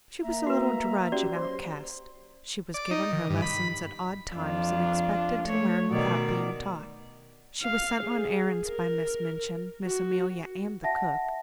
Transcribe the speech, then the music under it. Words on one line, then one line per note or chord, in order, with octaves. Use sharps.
She was a little drudge and outcast; she was given her lessons at odd times and expected to learn without being taught; she was sent on errands by Miss Minchin, Miss Amelia and the cook.
A#3 E5 A#5
F#4 B4
C#4 F#4 G4 D5
F#3 C5 A#5 C6
D5
D#4
D#3
G2
B5
F2 D4 F4
A3 C#5
B2 D#3 D5
F5
G#4
A#4
F#4
E5 F#5 A5 A#6